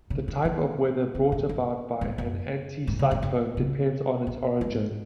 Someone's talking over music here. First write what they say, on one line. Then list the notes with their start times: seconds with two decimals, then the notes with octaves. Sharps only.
The type of weather brought about by an anticyclone depends on its origin.
0.10 C#3
0.28 D#3
0.45 D#3
1.15 C#3
1.32 A#2
1.49 F#2
2.01 G#2
2.18 F#2
2.87 G#2
2.99 C#3
3.11 G#2
3.23 F#2
3.57 C#3
4.27 A#2
4.61 G#2